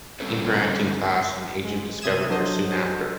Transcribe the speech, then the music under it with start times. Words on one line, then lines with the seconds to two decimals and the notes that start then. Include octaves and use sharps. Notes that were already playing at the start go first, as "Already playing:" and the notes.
In her acting class an agent discovered her soon after.
0.20 D3 G3 C4 C#4 A4 B4
1.65 G#3
2.02 C3 E5 D#6 G#6 E7
2.30 F#3 D4 A4 C5 D#5